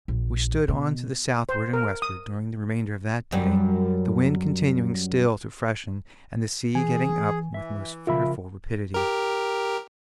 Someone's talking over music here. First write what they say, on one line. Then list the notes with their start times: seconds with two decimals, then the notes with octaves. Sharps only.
We stood on to the southward and westward during the remainder of that day, the wind continuing still to freshen, and the sea getting up with most fearful rapidity.
0.08 A#1
0.68 B2
1.49 C5
1.73 A#4
2.02 D#6
3.32 F#2 G3
6.75 E3 G#4 G#5
7.54 E3 E5
8.07 C#3 F3 F4 A#4 E5 B5
8.94 G4 A#4